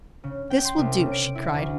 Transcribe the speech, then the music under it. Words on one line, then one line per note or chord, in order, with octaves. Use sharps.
"This will do!" she cried.
C#3
G5
C6
C2
C#3
D7
E4
D2